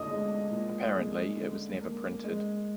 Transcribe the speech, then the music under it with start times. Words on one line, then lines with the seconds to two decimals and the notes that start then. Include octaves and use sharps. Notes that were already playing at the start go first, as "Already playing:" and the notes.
Apparently it was never printed.
Already playing: A#2 D3 D#5 D#6
0.09 G#3
0.52 A#2
0.94 G#3
1.37 D3
1.81 A#3
2.24 G#3